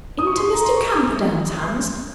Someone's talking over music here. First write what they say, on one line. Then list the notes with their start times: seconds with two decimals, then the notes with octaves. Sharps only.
"Into Mr. Camperdown's hands!"
0.19 D#6
0.27 C#6
0.37 C6
0.53 A#5
0.65 C6
0.77 C#6
1.59 C6